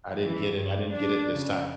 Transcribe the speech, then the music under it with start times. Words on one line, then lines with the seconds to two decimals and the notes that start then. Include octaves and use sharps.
I didn't get it I didn't get it this time.
0.25 E3
0.54 G2
0.94 D4
1.29 C#3